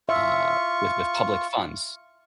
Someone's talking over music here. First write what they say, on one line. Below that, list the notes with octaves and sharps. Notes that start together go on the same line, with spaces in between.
uh, with with public funds.
F4 E5 C#6